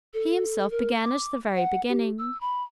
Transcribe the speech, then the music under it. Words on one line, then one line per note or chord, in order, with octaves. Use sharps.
He himself began at the very beginning.
A4
A#4
D6
F#5
G4
E6
B5